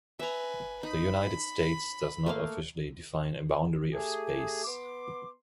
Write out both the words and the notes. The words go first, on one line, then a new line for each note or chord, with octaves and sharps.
The United States does not officially define a "boundary of space".
B4 E5 G#5 A#5
D#4 B5
A3 A#3 F5
A3 G4 G#4
B3 C6 D6